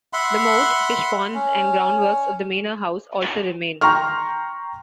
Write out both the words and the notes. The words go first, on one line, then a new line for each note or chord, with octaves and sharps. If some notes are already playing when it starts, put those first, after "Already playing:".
The moat, fish ponds and groundworks of the manor house also remain.
E5 F#5 B5 C6
C#4
G5 A#5 C6 C#6 F6